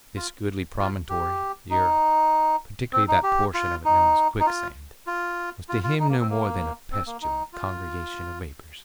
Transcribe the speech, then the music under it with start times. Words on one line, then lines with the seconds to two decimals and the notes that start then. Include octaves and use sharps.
This goodly promontory, the earth--particularly that portion of it known as Quicksand--was to him no more than a pestilent congregation of vapours.
0.17 F4
0.79 F4
1.09 G4
1.70 D#4
2.93 C4
3.08 D#4
3.23 G4
3.54 F4
3.85 D#4
4.40 D#4
4.46 F4
5.07 F4
5.69 F4
5.84 F4
6.00 D#4
6.09 A#3
6.20 C4
6.30 A#3
6.92 C4
7.06 A#3
7.22 D#4
7.53 F4